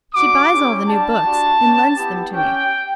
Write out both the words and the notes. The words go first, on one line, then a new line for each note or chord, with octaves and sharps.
She buys all the new books and lends them to me.
G3 D4 F#4 D6
C#4 E4 G4
G3 D4 G4 A5
G3 D4 F#4
C#4 G4
B3 E4 G4
C#4 G4 G5